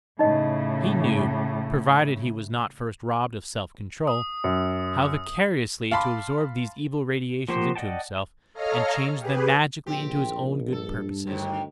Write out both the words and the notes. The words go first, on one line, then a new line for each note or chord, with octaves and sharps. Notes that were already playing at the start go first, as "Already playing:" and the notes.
He knew--provided he was not first robbed of self-control--how vicariously to absorb these evil radiations into himself and change them magically into his own good purposes.
A2 C#3 D#4 D#5
D#6
F#2
F5 A5 B5 C6 D6
F3 A#3 F#4 G4 C5
D5 D#5 F#5 G5 A5
A4 C#5 D#5 F5 A#5 F6
G4 G#4 B4
A#1 C4 G4
G2 A4
D2 G#2 D#3